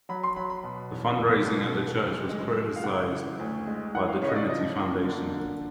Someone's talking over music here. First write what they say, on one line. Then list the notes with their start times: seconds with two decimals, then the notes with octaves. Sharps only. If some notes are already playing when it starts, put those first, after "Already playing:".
The fundraising at the church was criticized by the Trinity Foundation.
0.09 F#3 B5
0.23 C6
0.36 F#3 B5
0.50 B5
0.64 B2
0.92 E2
1.19 F#1
1.47 B2
1.74 E2
2.02 F#1
2.29 G#3
2.57 G#3
2.76 F5
2.84 C#3 F#5
3.11 E3
3.39 D2
3.67 G#3
3.94 E3 F#5
4.08 F5
4.22 C#3 C#5
4.29 D#5
4.35 D5
4.49 F3 D#5
4.77 A#3
5.04 D3
5.32 D3